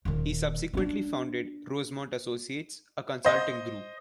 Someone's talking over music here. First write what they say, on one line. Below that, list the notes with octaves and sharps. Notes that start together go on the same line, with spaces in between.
He subsequently founded Rosemont Associates, a consulting group.
D#1 D#3
C#4 D4
C5 D#5